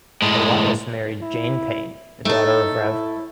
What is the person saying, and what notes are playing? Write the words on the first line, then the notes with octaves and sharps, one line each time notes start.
Elias married Jane Payn the daughter of Rev.
A2 G#3
E4
A3 D#4 A4
E4